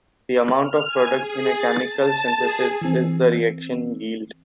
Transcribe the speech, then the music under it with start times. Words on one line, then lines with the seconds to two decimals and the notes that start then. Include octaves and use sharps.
The amount of product in a chemical synthesis is the reaction yield.
0.58 F6
0.87 G#5
1.19 G#4
1.52 A6
1.89 A5
2.38 G#4
2.82 E3 C4